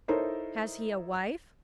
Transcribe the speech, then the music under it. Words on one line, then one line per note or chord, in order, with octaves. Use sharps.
"Has he a wife?"
D#4 E4 A4 A#4 C5 C#5